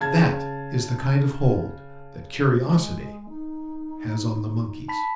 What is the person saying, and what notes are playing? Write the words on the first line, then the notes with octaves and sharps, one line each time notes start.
That is the kind of hold that curiosity has on the monkeys.
C#3 A5 G#6
G#3
D#4
A5 B5 B6